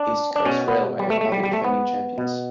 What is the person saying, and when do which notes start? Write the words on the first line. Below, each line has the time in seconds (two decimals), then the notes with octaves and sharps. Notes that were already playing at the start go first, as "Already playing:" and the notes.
East Coast Railway are the defending champions.
Already playing: D4
0.36 D4
0.45 B2 C#4
0.68 B3
0.99 G3
1.10 A3
1.21 A3
1.32 G3
1.43 G3
1.53 A3
1.64 B3
2.18 B2